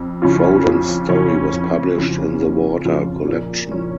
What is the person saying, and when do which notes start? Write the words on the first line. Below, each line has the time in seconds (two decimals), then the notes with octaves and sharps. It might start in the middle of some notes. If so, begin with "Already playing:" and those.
Foden's story was published in the 'Water' collection.
Already playing: F2
0.22 C#3 F3 C#4 F4
0.66 F2
1.09 C#3 F3 C#4 F4
1.53 F2
1.97 C#3 F3 C#4 F4
2.40 F2
2.85 C#3 F3 C#4 F4
3.28 A#2
3.72 F3 C#4